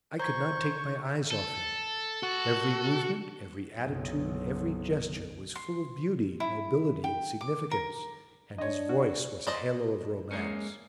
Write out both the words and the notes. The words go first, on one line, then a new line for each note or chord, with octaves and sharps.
I could not take my eyes off him; every movement, every attitude, every gesture was full of beauty, nobility and significance, and his voice was a halo of romance.
C5 A#5 C6 C#6 G6 G#6
A4
F#4
F#1 B1
C6
E4
G5
D6
A#4
D4 C#5 D#5
F#4
C5 D5 D#5
G#3 A#3 C#4